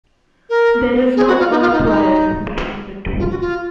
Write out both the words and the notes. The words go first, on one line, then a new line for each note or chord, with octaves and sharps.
There is no 'earth wire' between the two.
A#4
G#4
F#4
F4
D#4
F4
D#4
D#4
F4
F#4
F4